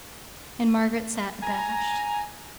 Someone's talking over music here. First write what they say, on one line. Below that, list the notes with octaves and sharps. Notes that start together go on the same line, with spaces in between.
And Margaret sate abashed.
G#5 A#5